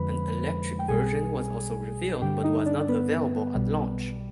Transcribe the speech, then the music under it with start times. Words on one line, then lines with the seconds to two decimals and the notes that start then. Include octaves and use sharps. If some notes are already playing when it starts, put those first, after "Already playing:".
An electric version was also revealed but was not available at launch.
Already playing: F2 D3 F3 G#3 B4 B5
0.79 G5
0.88 B1 B2 G3 G#4 G#5
2.21 G2 D3 G3 G4 G5
2.43 D#4 D#5
2.66 D4 D5
2.88 B3 B4
3.55 B1 B2 G3